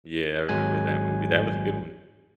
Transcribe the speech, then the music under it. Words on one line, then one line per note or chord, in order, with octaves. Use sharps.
Yeah, I remember that movie. That was a good one.
G#1 F#3 G#3 G#5 F#6